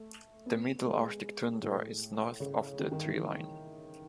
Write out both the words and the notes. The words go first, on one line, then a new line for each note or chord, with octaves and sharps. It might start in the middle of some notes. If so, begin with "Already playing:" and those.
The middle arctic tundra is north of the treeline.
Already playing: A3
B3
G#3
A2
C#3
D#3
D#3
E3